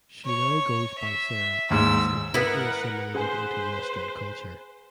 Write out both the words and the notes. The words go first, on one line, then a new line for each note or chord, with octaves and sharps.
She now goes by Sarah and has completely assimilated into Western culture.
C#5
E5
D#2 G#2 E6
B3 E4 A#4 B4 F#5
G#4 B4 C5 F#5 G#5